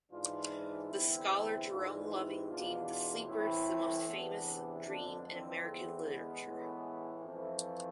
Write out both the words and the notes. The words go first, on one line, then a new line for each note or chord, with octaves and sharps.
The scholar Jerome Loving deemed "The Sleepers" "the most famous dream in American literature".
G#2 E3 D4 F4
E2 D3 C4 E4
G#2 E3 D4 F4
C4 E4
E2 B2 D4 F4
A2 E3 C4 E4
E2 C3 E3 B3 D4
F2 D3 B3 D4
A3 C4
E2 D3
G#3 B3
A2 E3
F2 E3 F3 A3